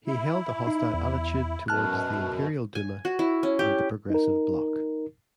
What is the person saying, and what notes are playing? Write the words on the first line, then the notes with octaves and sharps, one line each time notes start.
He held a hostile attitude towards the Imperial Duma and the Progressive Bloc.
E4
D#4
E2
F#2 B2 A5 F6 F#6
G#5
F#4
E4
C#4
G4
D#4 A#4